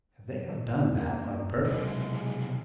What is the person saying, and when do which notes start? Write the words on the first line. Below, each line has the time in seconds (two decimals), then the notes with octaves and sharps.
They have done that on purpose.
0.98 A#3
1.64 B1 C3 G#3